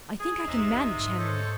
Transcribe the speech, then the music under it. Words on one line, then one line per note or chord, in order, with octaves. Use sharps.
I think I can manage Henry.
G#4
E2 C3 D#4 D#5 E5
E2 D3
G#2
A4 C5 C#5